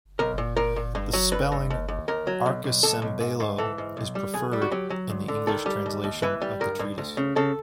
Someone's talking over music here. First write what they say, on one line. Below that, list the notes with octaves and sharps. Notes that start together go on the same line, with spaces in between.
The spelling 'archicembalo' is preferred in the English translation of the treatise.
B1 A#4
A#2
A#2 A#4
A#2
G2
F#3
G2 B4
G2
D#2
D#2
D#2 A#4
F#3
B1
B1
B1 A4
B1
G#2
G#2
E3 A4
G#2
B1
G3
B1 G#4
G3
F#4
F#3 G4
F#3
D2
D3
D#3 A4
G3
D#2
D#2
E3 B4
G3
G2 A#4
G2
D2
C#3
C#3 A4